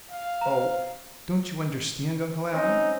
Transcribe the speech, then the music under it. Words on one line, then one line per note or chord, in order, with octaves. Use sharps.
"Oh! don't you understand, Uncle Adam?"
F5
C5 A#5
C4 C#4 D#4